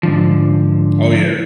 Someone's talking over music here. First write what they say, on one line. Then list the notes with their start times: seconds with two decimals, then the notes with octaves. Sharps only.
Oh yeah.
0.03 G#2 D3 F3